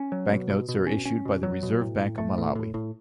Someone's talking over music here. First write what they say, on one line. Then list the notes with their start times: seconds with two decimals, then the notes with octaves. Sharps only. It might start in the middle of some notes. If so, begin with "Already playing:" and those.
Banknotes are issued by the Reserve Bank of Malawi.
Already playing: C#4
0.12 F#3
0.31 B2
0.50 B2
0.69 B2
0.87 C#4
1.05 C#4
1.25 B2
1.43 F#3
1.63 B2
1.82 A2
1.99 A2
2.18 A3
2.38 A2
2.55 A2
2.74 A2